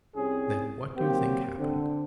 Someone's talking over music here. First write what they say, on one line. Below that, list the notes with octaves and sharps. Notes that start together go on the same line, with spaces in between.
Then what do you think happened?
C2 C4 C#4 G#4
F#3 A#3 C4 G4
D3 C4